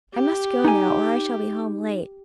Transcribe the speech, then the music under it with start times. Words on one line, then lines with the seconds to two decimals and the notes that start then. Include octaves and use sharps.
I must go now or I shall be home late.
0.15 G4
0.65 D#4 G#5